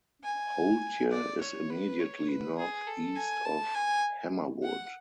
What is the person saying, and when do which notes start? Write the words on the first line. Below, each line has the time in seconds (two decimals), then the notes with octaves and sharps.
Holtye is immediately north-east of Hammerwood.
0.24 G#5
1.11 D5
1.41 C#5
1.70 B4
1.99 C#5
2.28 B4
2.58 G#4
2.87 A4
3.16 G#5
3.45 A5
3.75 G#5
4.63 F#5